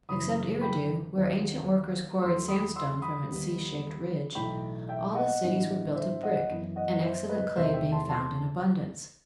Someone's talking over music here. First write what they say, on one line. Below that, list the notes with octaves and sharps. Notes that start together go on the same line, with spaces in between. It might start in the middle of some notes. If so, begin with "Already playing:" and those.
Except Eridu, where ancient workers quarried sandstone from its sea-shaped ridge, all the cities were built of brick, an excellent clay being found in abundance.
F#1 F#2 E3 B5 D#6
G5 B5
D#2 D#3 F#3 B3
E2 D#3 F#3 A3 C6 E6
B5 D#6
C6 E6
B5 D#6
D#2 D#3 G3 B3
B1 A2 E3 A3 G5 B5
E5 G5
D#5 F#5
A1 G2 E3 B3
C5 E5
D#5 F#5
F#2 E3 B3
D#5 F#5
C5 E5
B4 D#5
E2 C3 D#3 A3 C5 E5
E5 G5
A5 C6
A5 C6